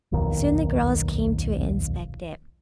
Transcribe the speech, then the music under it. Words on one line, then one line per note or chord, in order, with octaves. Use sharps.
Soon the girls came to inspect it.
D#1 B1 F2 D#3